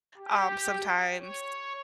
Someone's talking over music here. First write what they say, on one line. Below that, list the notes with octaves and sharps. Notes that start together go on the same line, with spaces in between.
um, sometimes
G4
C#5